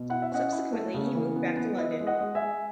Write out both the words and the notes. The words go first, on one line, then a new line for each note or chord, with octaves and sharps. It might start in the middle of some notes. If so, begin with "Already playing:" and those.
Subsequently, he moved back to London.
Already playing: B2
E4 F#5
E5
C#4 D#5 F#5
E4
A3
C#3
E3
B3
B3
E4 D#5
G#3
D#5 F#5
G#3
E5 G#5
G#3